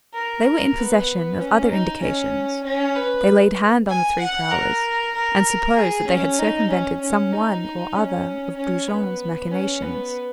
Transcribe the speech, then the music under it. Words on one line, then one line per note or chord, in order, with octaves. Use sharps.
They were in possession of other indications; they laid hand on the three prowlers, and supposed that they had circumvented some one or other of Brujon's machinations.
A#4
B3
C#4
D#4
C#4
C#4
B4
G#5
F#5
A#4
A#4
G#4
C#4
D#4
C#4
C#4
D#4
C#4
C#4
B3
C#4
B3